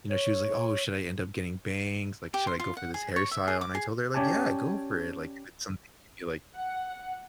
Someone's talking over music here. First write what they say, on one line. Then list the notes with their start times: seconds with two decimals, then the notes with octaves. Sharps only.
you know, she was like, "Oh, should I end up getting bangs? Like, should I go for this hairstyle?" And I told her, like, "Yeah, go for it. Like, if it's something you feel like
0.10 C#5
2.34 G4
2.47 C6
2.60 F4
2.77 F#5
2.94 G#4
3.16 C#5
3.31 E5
3.48 G#4
3.61 D6
3.75 G#4
4.14 C#4 G4 C#5 D5 G#5 A5
6.57 F#5